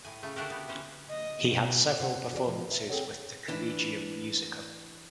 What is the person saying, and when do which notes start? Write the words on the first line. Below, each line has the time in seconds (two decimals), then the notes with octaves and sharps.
He had several performances with the Collegium musicum.
0.05 A2 G#5
0.23 C#3 A3
0.36 A3 A#3 D4 F#4 G4 A#4
0.50 B3
0.68 E3 C#4 C5
1.10 D#5
1.48 B2
2.00 C3 C5 C#5 F#5
2.33 F#4 G#4 B4 D5
2.47 A#2 F3 F4
2.69 B4 E5
2.89 C4 G#4 A4 C#5 F#5
3.48 E3 D4 B4